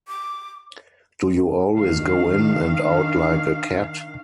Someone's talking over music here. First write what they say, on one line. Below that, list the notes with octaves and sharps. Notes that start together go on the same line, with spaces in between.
Do you always go in and out like a cat?
D6
D#3 D4 F5